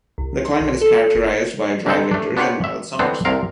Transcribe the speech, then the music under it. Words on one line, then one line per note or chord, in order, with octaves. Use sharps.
The climate is characterized by dry winters and mild summers.
C2
C6
B1
A4
G1
D3 G3 G#3 C4 D#4 A4
A3 D4
B3 D4 F4 G4 C#5 F#5
E5
D3 E3 B3 C4 D4
C2 C3 A#4 F5